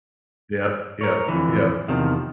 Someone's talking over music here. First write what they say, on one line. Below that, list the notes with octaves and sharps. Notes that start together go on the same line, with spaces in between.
Yep, yep, yep.
A#4 C#5
F2 G#2 D3 E3
E2 C3 D#3 F3